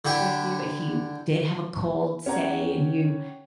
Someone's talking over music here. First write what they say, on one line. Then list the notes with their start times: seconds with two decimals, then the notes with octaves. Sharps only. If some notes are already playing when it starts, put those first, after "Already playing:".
with you if you did have a cold, say, and you
0.05 D3 E4 G4
2.26 C#4 G4 C#5 F#5 A#5